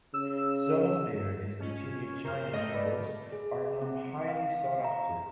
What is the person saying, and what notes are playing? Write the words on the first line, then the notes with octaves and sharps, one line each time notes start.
Some of their discontinued china cymbals are now highly sought after.
C#3 E6
C#4 F4 D#5 F6
F#2 C#3 A#4 C5 F6
A2 C3 A3 D#5
B4 D5
G#4
C4
F5
F5
A#5